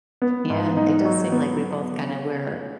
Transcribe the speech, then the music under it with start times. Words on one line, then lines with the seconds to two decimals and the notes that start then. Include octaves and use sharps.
Yeah. It does seem like we both kinda were
0.22 B3
0.50 G#2
0.77 D#4
1.05 F#3
1.32 B3